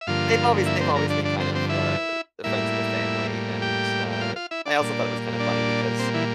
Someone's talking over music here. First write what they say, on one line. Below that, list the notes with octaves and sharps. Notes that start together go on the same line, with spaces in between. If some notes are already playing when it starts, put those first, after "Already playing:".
they've always they've always been kind of uh, the friends of the family. And, uh, I also thought it was kind of funny because
E5
G2 D3 F3 A#3 F4 F5
E4 E5
C4 C5
A#3 A#4
D4 D5
D4 D5
C4 C5
C4 C5
E4 E5
A2 G3 A#3 E4 E5
G4 G5
G5
F4 F5
F4 F5
E4 E5
D4 D5
A#2 G3 A#3
D4 D5
C4 C5
E3 E4